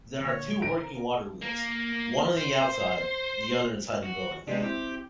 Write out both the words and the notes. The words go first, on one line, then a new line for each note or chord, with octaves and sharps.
There are two working waterwheels, one on the outside, the other inside the building.
A#2 D3 C#5
A4 A#4 C5 G#5 D7
A#3
C5
F#4
C3 G#3 B3 D4
C4 E4 G4